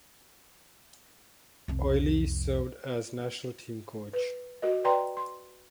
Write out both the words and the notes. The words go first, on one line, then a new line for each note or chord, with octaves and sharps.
Ollie served as national team coach.
C2 F2
B4
F#4 A#4 D#5
B4 D5 G5 A#5 C6
C6